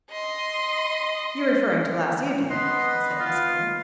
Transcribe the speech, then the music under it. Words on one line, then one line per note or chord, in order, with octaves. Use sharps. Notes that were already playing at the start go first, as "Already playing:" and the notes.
"You're referring to last evening," he said huskily.
D#5 C6
B3 B4 D#5 C6
F4